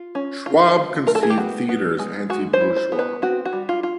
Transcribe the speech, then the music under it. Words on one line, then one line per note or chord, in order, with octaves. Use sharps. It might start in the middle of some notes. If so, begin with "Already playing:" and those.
Schwab conceived theater as anti-bourgeois.
Already playing: F4
C#4
F4
F4
A3 A#4
A4
G#4
G4
B3 F#4
B3
G#3
G#3 F#4
C5
E4
C5
B3
B4
C4 F#4
F#4
G3
F4
F4